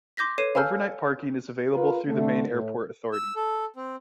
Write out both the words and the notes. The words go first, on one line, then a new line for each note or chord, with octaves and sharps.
Overnight parking is available through the main airport authority.
C6 D6 G6 A#6 B6
A4 B4 C#5 C7 D#7 E7
F5 G#5 A5 E6 F6 G6
F4 A#4 B4
D3 A3
A2
E6
A4
C4